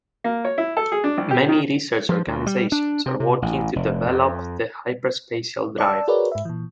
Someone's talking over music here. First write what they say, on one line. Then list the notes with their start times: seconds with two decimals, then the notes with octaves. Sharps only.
Many research organizations are working to develop the hyperspatial drive.
0.24 A#3
0.45 C#5
0.58 E4
0.77 A4
0.92 G#4
1.04 D4
1.18 C2
1.31 G4
1.48 D#3
2.09 F3
2.27 D2
2.46 G3
2.72 D4
3.06 C3
3.20 C3
3.42 A1
3.76 F1
4.06 F2
5.78 D5 A5 E6
6.08 F#4 G#4 A#4 B4 C#5 D5
6.32 G#2 E5
6.45 A#2 E3